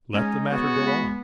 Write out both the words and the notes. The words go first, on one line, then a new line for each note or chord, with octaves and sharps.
Let the matter go on.
G#3 C#4 D#4
B3 F#4 C#5
B5